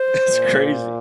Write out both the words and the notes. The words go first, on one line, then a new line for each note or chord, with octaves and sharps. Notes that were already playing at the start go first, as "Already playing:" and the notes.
That's crazy.
Already playing: C5
A#2